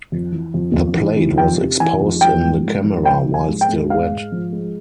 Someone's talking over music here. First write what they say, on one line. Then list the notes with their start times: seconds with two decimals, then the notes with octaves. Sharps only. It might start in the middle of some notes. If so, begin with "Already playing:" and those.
The plate was exposed in the camera while still wet.
0.12 F2
0.32 E3
0.54 F2
0.74 F2
0.95 E3
1.16 E3
1.38 F2 G5
1.58 C3
1.80 E3 G#5
2.00 F2
2.21 F3 G5
2.43 G#2
2.64 G#2
2.84 F3
3.05 F3 G5
3.27 F3
3.34 G#5
3.48 G#2
3.61 G5
3.69 G#2
3.90 G#3 F5
4.10 G#2
4.32 F3
4.52 G#3